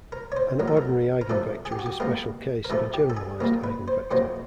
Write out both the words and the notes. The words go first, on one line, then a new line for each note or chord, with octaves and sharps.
An ordinary eigenvector is a special case of a generalized eigenvector.
A#4
C#5
C5
A#1 A2 F#3 A#4
A4
A#4
A#4
C2 C3 F3 A3 A4
G#4
G4
F#4
G4
C#2 B2 G3 A#3 A#4
A#4
C2 C3 F3 A3 A4
G4
A4
G#4
A#1 A#2 G3 A#3 A#4
B4
C5
F2 C3 D#3 F#3 A#3 C5